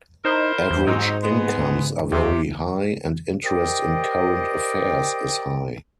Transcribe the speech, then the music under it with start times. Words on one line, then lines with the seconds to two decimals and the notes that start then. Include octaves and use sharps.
Average incomes are very-high and interest in current affairs is high.
0.25 D#4 E4 A#4 C5
0.70 E2
0.87 G#2 F#3 C4 D#4
1.23 G#3 B3
2.12 D#2 C3 G4
3.44 G4 A#4 C5 D5 D#5 G5